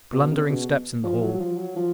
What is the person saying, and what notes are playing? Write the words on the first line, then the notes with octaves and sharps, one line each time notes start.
Blundering steps in the hall.
B2
C#3
B2
F3
F#3
F#3
F3
F#3
F3